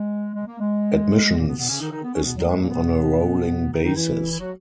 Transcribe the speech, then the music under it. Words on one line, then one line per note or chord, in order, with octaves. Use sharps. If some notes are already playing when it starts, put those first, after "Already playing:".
Admissions is done on a rolling basis.
Already playing: G#3
G#3
A#3
G#3
A#2 A#3
B2 B3
B2 B3
C#3 C#4
D#3 D#4
D#3 D#4
B3
C#4
B2 B3
F#3
A#3
G#3
A#2 A#3
B2 B3
D#3 D#4
D#3 D#4
E3 E4
E4
F#3 F#4